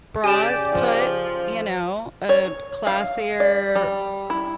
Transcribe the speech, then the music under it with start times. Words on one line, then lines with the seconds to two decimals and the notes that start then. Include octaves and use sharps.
bras put, you know, a classier
0.24 C#3 G4 D5 G#5 E7
0.73 F3
2.29 C#5
2.87 F5
3.40 D5
3.75 G3
4.30 E4